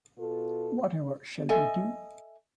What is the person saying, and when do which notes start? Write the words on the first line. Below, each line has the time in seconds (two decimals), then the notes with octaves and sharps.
Whatever shall we do?
0.18 B2 F4 A4
1.49 A4 D#5 E5 G#5